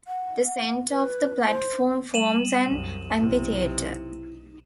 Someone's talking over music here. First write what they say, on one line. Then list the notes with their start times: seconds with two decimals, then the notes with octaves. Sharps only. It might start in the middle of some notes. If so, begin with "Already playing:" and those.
The center of the platform forms an amphitheatre.
0.07 F#5
0.46 F#5
0.90 B4
1.46 C5
2.14 G3 D#7 E7 F#7
2.66 C2 F#2
3.19 B1 C3 E4